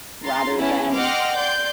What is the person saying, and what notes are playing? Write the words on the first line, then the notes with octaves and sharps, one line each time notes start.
rather than
A#5 C6 A6
B3 C#4 E4 G#4 B4 A5
D#5 F#5 G5 C6 D6 F6
D5 C6 G6